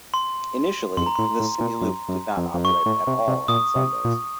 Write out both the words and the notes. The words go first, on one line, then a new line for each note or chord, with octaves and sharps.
Initially, the City Loop did not operate at all on Sundays.
C6
F2 C6
A#5
A2 C6
A2
A#2
F#2
F#2
F2
F2
F#2 C#6
A2
C3
C3
A#2 D#6
C3
A#2